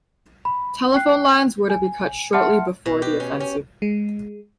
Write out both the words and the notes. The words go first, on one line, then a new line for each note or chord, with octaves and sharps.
Telephone lines were to be cut shortly before the offensive.
B5
G5 F#6 C7
G#5
E5 F#5 A5 C6 F6 C#7
B2
G4
C#4
C#4
G#3